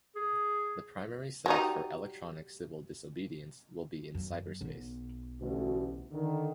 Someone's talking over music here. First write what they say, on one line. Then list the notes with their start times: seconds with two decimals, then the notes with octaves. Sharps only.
The primary site for Electronic Civil Disobedience will be in cyberspace.
0.16 G#4
1.46 F#3 G3 D#4
4.14 F#2
4.61 B1 B3
5.40 A1 D2 B2
6.12 D3 D#3